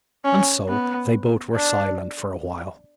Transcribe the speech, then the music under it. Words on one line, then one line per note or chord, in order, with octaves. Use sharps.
And so they both were silent for a while.
C#4
B3
D4